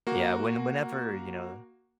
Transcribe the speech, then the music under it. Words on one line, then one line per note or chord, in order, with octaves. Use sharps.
Yeah, when whenever, you know
A#3 F#4